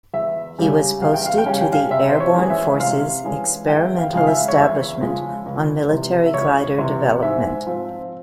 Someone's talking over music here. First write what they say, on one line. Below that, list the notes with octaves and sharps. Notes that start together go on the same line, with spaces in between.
He was posted to the Airborne Forces Experimental Establishment on military glider development.
E2 E5
C#3 G3 C#4
E2 F5
G5
F5
G5
C#3 G3 C#4 F5
G5
F5
C3 E5
C5
C#5
E3 G#3 C#4
E5
C3 F5
E3 G#3 C#4
E2 G5
F5
C#3 F3 G#3 F5
E5
C#5
E2 E5
C#3 F3 G#3
C#2
C3 E3
E5
C#2 C#5
C3 E3
G#2 E5
F3 C4